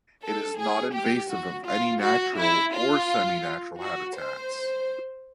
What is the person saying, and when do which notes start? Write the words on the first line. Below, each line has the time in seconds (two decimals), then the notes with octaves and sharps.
It is not invasive of any natural or seminatural habitats.
0.22 A4
0.58 G#4
0.93 G4
1.29 F#4
1.66 F4
2.01 F#4
2.37 E4
2.73 F4
3.80 F#4
4.16 C5